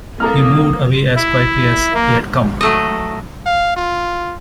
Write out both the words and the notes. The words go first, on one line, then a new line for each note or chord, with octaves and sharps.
He moved away as quietly as he had come.
C2 A#3 A4 A#5 D#6 F6
E4
A#3
F#3 A3 D#5
F5
F4